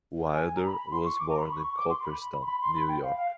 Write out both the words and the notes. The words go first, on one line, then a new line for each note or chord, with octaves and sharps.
Wilder was born in Cooperstown, New York.
G#5
G#5
A#5
B5
B5
C6
C#6
D6
A#5
C6
B5
C#6
C#6
D6
C6
B5
C6
B5
C6
B5
G5
F5
F5